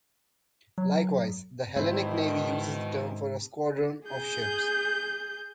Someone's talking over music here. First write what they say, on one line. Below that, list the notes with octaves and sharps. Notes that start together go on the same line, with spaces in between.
Likewise, the Hellenic Navy uses the term for a squadron of ships.
F#3
G#2 B2 D#3 C4 E4
G#4 G6